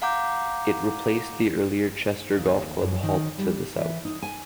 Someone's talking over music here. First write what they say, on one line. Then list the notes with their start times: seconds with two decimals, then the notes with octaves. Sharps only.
It replaced the earlier Chester Golf Club Halt to the south.
0.02 F5 F#5 A#5 D6 G6
2.37 D#2
2.81 F#2
3.03 D#3
3.38 G3
3.76 E3
4.05 D#4
4.22 G#5